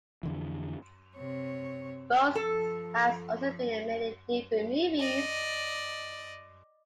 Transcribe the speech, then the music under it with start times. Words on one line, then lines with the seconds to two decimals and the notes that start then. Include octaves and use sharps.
Rose has also been in many different movies.
0.23 F2 D3 E3
1.17 C3 C#5
2.35 F3 A4
4.99 D5 D#5